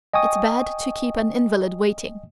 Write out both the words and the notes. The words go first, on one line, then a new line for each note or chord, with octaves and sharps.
It's bad to keep an invalid waiting.
D#5 G5 G#5 C#6 D#6